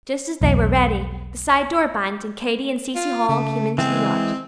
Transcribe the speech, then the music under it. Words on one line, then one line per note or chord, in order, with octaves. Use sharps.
Just as they were ready, the side-door banged, and Katy and Cecy Hall came into the yard.
B1 E2
F4
C#3 A3
E3 G#3 C4 G#4